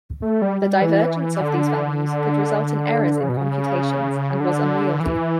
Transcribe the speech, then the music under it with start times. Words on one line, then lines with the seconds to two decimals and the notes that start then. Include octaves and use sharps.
The divergence of these values could result in errors in computations, and was unwieldy.
0.22 A3
0.42 G3
0.62 G3
0.82 E3
1.41 D3
3.21 C#3
3.29 B2
3.37 C#3
4.40 D3
5.00 E3